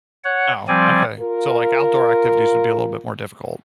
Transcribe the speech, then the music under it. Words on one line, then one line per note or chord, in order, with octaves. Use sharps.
Oh, okay, so, like outdoor activities would be a little bit more difficult.
C#5 F#5
F3 G3 C4 D5 G#5
F4 A#4